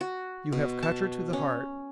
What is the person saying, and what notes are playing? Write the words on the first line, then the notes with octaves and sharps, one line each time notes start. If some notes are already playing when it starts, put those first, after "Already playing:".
"You have cut her to the heart."
F#4
B2
A5
C#4